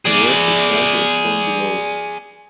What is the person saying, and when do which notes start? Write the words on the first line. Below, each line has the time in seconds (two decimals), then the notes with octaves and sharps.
A worked example is shown below.
0.05 G#4 D5